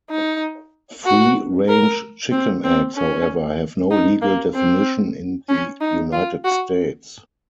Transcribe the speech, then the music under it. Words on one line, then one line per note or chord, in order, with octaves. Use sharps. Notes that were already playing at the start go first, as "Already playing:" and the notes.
Free-range chicken eggs, however, have no legal definition in the United States.
D#4
F#4
A#4
C4
C4
C#4
D#4
A#3
C4
C#4
D#4
F4
F#4